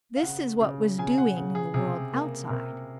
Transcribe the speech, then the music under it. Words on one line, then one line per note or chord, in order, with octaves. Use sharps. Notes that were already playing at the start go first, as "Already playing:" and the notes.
This is what was doing in the world outside.
F5
C#3 F#5
C#3
C#3 G#5
G#5
F#5
C#3
G#4
C3 G#4
A#3
C3 A#4